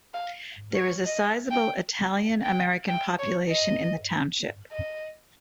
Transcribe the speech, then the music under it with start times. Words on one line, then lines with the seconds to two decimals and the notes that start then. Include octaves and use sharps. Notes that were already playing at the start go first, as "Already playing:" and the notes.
There is a sizable Italian American population in the township.
0.14 F5
0.75 C#5
1.05 D#5
1.51 G5
2.43 G5
2.88 G5
3.19 C#5
3.49 D#5
4.72 D#5